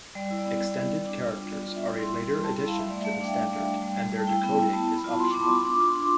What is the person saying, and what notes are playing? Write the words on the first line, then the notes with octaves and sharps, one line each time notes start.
Extended characters are a later addition to the standard and their decoding is optional.
G3 D5
E4
D5
B3
G3
B3
G3
D4
F4
G3
B3 D5
F4
E5
G3
E4 C6
G3
G3
G3 A5
E4 B5
F5
G3 E5
A3 D5
A3 E5
F5
D4 G5
D4
A3
A3
G3
G3
G3 A5
E4 G5
B3
E4
B3 A5
B3
B5
F4
F4 C6
B3 D6
C6
F4 B5
D4 D6
F4
C6
D4